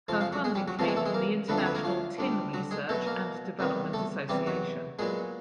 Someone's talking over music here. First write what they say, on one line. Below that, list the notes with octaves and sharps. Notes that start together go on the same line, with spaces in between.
Her funding came from the International Tin Research and Development Association.
F2 C3 F3 F4
F3 F4
F#3 F#4
G#3 G#4
G3 G4
F#3 F#4
E2 C3 E3 F3 A3 F4
G#3 G#4
A3 A4
G#3 G#4
A#3 A#4
D2 D3 F3 A3 B3 B4
C4 C5
B3 B4
A#3 A#4
F3 F4
D2 D3 G3
F#3 F#4
G#3 G#4
B2 F#3 A3 B3 A4
A#3 A#4
E2 C3 D#3 G3 B3
A3 A4
E2 C3 E3 G3 G4
F#3 F#4
A#2 F#3 G#3 B3 G#4